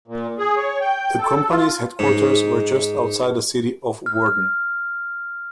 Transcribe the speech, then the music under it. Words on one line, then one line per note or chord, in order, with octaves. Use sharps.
The company's headquarters were just outside the city of Woerden.
A#2
G#4
C#5
G5
A4
F4
G#2
F6